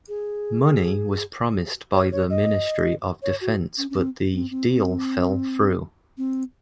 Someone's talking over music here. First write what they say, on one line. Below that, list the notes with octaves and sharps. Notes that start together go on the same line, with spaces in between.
Money was promised by the Ministry of Defence but the deal fell through.
G#4
C#5
C#5
D#5
C#5
F#4
C#4
C#4
C4
C4
C4
C4
C4